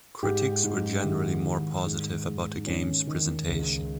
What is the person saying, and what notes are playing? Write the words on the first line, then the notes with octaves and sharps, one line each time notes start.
Critics were generally more positive about the game's presentation.
G#2 G4
G#2
G4
D#3 E4
D#3
G#2
G#2
D#4
D#3 C#4
D#3
C#2